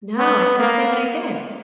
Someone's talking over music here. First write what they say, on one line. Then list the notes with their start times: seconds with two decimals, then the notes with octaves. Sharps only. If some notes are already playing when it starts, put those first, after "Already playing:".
No, I can't say that I did.
0.18 B3
0.59 A#3